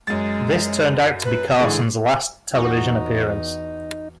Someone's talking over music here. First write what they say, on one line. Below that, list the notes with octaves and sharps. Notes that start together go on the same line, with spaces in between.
This turned out to be Carson's last television appearance.
F#2 G#3 A6
B4
G#2 D3 E3 G#4
E2 D#4 F#4 F#5